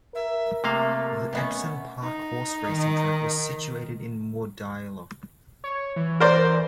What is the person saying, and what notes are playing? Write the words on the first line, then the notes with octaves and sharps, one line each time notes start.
The Epsom Park Horse Racing track was situated in Mordialloc.
A#4 E5
C3 A3 A#3 F5
B2 A3 B3 C#4
D#4
D#3
C#5
E3
A#4 C5 D5